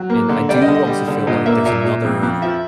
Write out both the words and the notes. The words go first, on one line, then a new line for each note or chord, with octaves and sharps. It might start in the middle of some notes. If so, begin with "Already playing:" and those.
and, I do also feel like there's another
Already playing: F#3
A#3
D3
G3 D5
D#5
D3
D#5
G3
D3
A#2 D#5
A#3 E5
A#2 E5
A#2
F2
F2
F3 E5